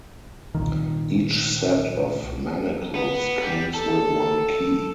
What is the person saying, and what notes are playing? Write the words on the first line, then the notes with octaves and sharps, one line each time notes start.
Each set of manacles comes with one key.
C2 A#2 D#3
B3
G3
A4